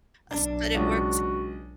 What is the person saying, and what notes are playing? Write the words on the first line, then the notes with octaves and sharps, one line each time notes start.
uh, s but it works
B1 D4
C#2 F#4